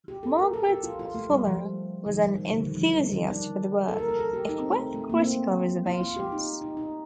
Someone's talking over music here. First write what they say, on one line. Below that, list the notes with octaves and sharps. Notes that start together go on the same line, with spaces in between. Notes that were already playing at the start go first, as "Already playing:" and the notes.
Margaret Fuller was an enthusiast for the work, if with critical reservations.
G4
A4
A#4
A4
G4
F4
F4
A3
G3
F3
D#3
F3
D#3
G3
D3
D#3
F3
G3
G3
D#3
D4
A4
A#4
A#4
A4
G4
D#4
C4
A3
A3
A3
A#3
C4
F4
F4
G4
D#4
D#4
D#4